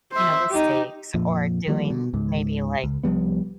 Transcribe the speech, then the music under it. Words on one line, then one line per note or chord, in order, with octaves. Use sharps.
you know, mistakes or doing maybe like
C5 E5
D#4 G4
F2 A#2 F3
D#3 F3 G3 A#3
B2
C#2 G#2
C#2
C2 F3 G3 B3